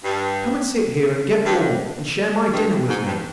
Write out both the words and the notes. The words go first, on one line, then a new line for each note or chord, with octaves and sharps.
Come and sit here and get warm, and share my dinner with me.'
G2
G2
G2
G#2
G2